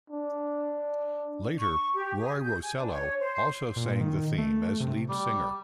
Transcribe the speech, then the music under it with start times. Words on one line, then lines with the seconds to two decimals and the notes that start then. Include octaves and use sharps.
Later, Roy Rosello also sang the theme as lead singer.
0.10 D4
1.59 C#6
1.94 G4
2.20 G#4
2.42 G6
2.63 G#5
2.77 D4
2.93 C#5
3.19 C5
3.76 A#2
4.01 D#3
4.38 A3
4.80 C3
5.09 G3